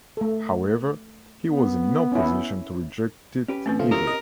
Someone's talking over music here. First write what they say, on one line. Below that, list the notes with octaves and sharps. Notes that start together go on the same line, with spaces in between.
However, he was in no position to reject it either.
A3 A4
B3
C#4 E4
C#4 G4 B4
E2 A2 A3 C4 C#4 B4
C#3 F3 A3 F4
E4 G4 A#4 C#5
D#5